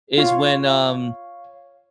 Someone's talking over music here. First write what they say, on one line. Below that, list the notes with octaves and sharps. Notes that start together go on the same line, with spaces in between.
is when, um
F4 C#5 F5